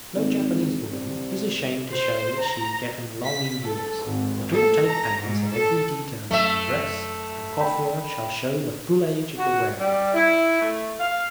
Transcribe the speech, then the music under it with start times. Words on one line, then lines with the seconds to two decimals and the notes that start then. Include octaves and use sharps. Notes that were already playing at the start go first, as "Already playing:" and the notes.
No Japanese woman is ashamed to show that she is getting along in years, but all take pains that every detail of the dress and coiffure shall show the full age of the wearer.
0.16 G#1
0.91 C2
1.92 C5
2.41 A#5
3.23 B6
3.64 A4
4.05 G#1
4.51 A4
4.87 A#5
5.21 G#2
5.52 A4
6.31 F#2 A3 E5
7.61 G5 B5
9.38 F#4
9.80 G3
10.14 E4
10.61 A3
10.99 F5